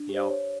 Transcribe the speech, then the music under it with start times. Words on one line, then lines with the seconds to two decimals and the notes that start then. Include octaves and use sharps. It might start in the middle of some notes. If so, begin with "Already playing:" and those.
you know,
Already playing: D4
0.09 G4
0.14 C5
0.29 C#5